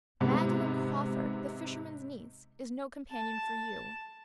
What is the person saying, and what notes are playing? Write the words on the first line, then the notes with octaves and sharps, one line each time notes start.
Magdalen Crawford, the fisherman's niece, is no companion for you.
G#2 C3 B3
A5